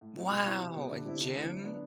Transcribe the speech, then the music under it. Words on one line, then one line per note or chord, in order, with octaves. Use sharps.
Wow. A gym?
A2
F#3 C4
B2
G3 C4 E4
C3
G3 B3
D3
G3 C4 E4
D3
A3 C4 E4
F#3
B3 D4